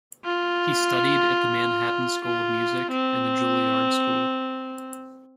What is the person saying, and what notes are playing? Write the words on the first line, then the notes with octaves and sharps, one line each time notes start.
He studied at the Manhattan School of Music and the Juilliard School.
F4
F4
C4